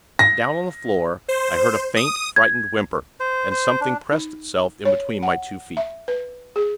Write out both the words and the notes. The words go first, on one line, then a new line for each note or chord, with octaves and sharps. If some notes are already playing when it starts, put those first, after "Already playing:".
Down on the floor, I heard a faint, frightened whimper, and something pressed itself in between my two feet.
A#6
C5
D#6
G#6
C5
C5
D4
D#4
C#5
F#5
E5
B4
G#4